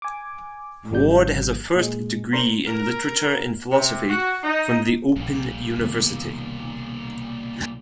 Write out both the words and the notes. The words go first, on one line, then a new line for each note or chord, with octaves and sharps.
Ward has a first degree in Literature and Philosophy from the Open University.
G#5 D6
G#1 C#3 F3 G3 D4 G6
A#2 G#3
D4 A#4 C5 A#5
A#4
C3
F#4
D#4
A#1 A#2 G3
C2 B2 D#3